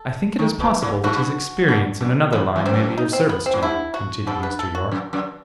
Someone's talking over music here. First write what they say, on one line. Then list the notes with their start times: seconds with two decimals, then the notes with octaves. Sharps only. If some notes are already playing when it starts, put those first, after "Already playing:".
"I think it is possible that his experience in another line may be of service to you," continued Mr. Yorke.
Already playing: A4
0.39 D#3
0.60 B2
0.82 A2
1.04 G2 F#4
1.68 G2
2.01 F#2
2.32 E2 B3
2.56 E2
2.65 F#2 C4
2.98 D#4
3.13 C4
3.29 B3
3.46 C4
3.54 A2
3.62 G2 E4
3.94 F#4
4.27 G2 A4
4.43 B4
4.59 A4
4.75 F#4
4.92 F#2
5.13 F#2